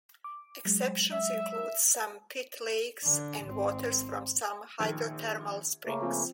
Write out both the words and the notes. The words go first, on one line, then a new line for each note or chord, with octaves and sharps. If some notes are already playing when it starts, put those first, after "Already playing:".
Exceptions include some pit lakes and waters from some hydrothermal springs.
D6
F#3 G#3
E5
D3 D4
G#1 C4
A#1 D#3 G#6
C#3 A3 A#3
F3 C4